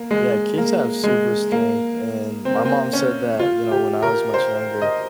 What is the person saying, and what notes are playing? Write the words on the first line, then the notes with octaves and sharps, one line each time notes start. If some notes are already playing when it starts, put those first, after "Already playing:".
Yeah, kids have super strength, and my mom said that, you know, when I was much younger,
Already playing: A#3
G#3
A#3
G#3
A#3
C4
A#3
C4
C#4
F4
G4
A#4
C5
D#5